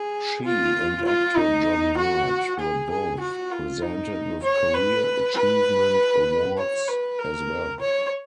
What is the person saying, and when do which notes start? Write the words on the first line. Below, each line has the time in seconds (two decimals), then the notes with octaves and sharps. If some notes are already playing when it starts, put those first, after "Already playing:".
She and actor John Hurt were both presented with Career Achievement Awards as well.
Already playing: G#4
0.45 F4
1.06 F4
1.37 D#4
1.98 F#4
2.59 G#4
2.90 G#4
3.20 F#4
3.51 F4
3.82 D#4
4.43 C#5
4.74 B4
5.35 B4
6.58 C#5
6.88 B4
7.19 A#4
7.81 C#5